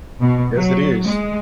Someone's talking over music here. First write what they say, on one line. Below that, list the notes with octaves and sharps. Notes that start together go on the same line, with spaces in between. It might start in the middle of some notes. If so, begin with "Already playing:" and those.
Yes, it is.
B2
F#3
G#3